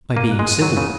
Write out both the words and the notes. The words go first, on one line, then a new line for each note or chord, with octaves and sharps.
By being civil.
A#3 D#7
F#6
G#3
D#7
F#3 D#7
C#3 D#7